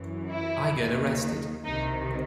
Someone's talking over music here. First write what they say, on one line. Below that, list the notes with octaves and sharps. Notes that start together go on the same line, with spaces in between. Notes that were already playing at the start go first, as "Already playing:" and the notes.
I get arrested.
Already playing: F#2 E3
E4
D#2 D#3
C2 C3 D#3 D#4